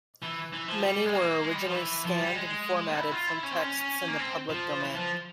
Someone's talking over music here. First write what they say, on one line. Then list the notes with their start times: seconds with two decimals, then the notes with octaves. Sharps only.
Many were originally scanned and formatted from texts in the Public Domain.
0.22 E3
0.53 E3
0.68 F3
0.83 G3
1.05 G#3
1.14 A#3
1.44 G#3
1.54 G3
1.65 F3
1.75 E3
2.06 F3
2.21 G3
2.36 G#3
2.96 E4
3.12 F4
3.27 E4
3.43 C#4
3.51 C4
3.60 C#4
4.08 A#3
4.19 C4
4.50 F3
4.80 E3
4.95 F3